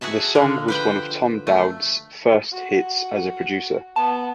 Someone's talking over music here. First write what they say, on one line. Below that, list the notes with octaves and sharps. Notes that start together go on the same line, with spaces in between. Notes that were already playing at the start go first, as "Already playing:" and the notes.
The song was one of Tom Dowd's first hits as a producer.
F#4 G#4 E5 A5
D3 F3 G#3
B4 C5 G5
A3
F#4
B3 A5